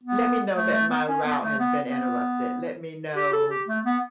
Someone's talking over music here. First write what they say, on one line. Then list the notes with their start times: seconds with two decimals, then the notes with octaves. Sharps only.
"Let me know that my route has been interrupted." Let me know,
0.04 B3
0.55 A3
0.73 A3
0.90 B3
1.07 C#4
1.25 B3
1.42 A3
1.59 B3
1.85 B3
3.16 G4
3.33 A4
3.50 G4
3.68 A3
3.85 B3